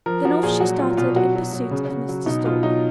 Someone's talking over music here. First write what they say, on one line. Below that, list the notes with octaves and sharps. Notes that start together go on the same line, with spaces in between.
Then off she started in pursuit of Mr. Stork.
F3 A#4
F3 F#4
A#2 G#4
F#3 F#4
F#3 F4
B2 F4
F#3 F#4
F#3
F#3
C#3
C#3
F#3
B2 D#4
B2 F4
F#3 D#4